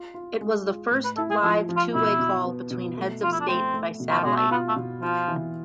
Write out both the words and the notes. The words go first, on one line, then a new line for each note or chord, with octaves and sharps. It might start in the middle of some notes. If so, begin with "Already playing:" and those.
It was the first live two-way call between heads of state by satellite.
Already playing: F4
F4
G#3
F4
A2
B4
E4 A4
G#4
F3 A4
F3
F4
B2 E4
B2
B3
B2
A3
F3 F4
E4
D4
A3 C4
A3
B2
F3
B2 G#3
A3
B3 F4
A3
B2
F3 F4
E3